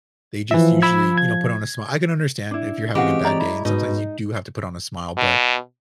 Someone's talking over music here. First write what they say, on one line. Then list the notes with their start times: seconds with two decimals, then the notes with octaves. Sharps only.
they just usually, you know, put on a smi I can understand if you're having a bad day and sometimes you do have to put on a smile, but,
0.51 E3 F3 E5
0.82 B5 E6 G#6
1.18 G#6
2.51 D4 E4
2.95 E3 G#3 C4 C#4 F#4 G4 F5 F#5
3.24 C#5 D5 A#5
3.40 E4
3.65 G#2 B2 D#4
5.17 B2